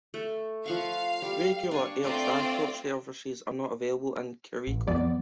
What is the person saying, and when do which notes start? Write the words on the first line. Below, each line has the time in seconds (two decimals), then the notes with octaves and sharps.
Regular air transport services are not available in Kericho.
0.14 A3
0.66 F3 F5 F#5 C#6
1.22 G3
1.71 D4 G#5 C#6
2.04 A3 C4 F4 D5 A#5
4.67 A1
4.88 F2 F3 F#3 B3 D5